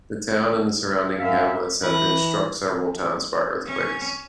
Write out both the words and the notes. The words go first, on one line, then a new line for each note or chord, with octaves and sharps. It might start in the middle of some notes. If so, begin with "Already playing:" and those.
The town and the surrounding hamlets have been struck several times by earthquakes.
F#2 E5 F5
E3 B4 F#6 A#6
C#4